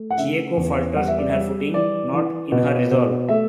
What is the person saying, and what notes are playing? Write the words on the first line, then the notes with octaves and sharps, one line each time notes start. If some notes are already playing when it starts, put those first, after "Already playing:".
Chieko falters in her footing, not in her resolve.
Already playing: A3
F#5
C#3 E5
E2
G3 F#5
E5
D5
G3 E5
E3 D5
E3
B2
B2
A3 E5